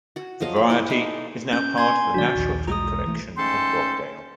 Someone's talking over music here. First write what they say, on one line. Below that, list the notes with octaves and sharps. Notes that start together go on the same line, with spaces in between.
The variety is now part of the National Fruit Collection at Brogdale.
F#4 F#5
F3 F#3 D#5 F5
G5
E4 G4 B4
D#4 A4
C#4 G6
G#5 C6 G#6
D#3 F#3 D4 F#4 D5
A#1 D#2
B1 E2 G#3 A#5 D#6
E3 A3
G#2 A3 C#4 A4 G5 C6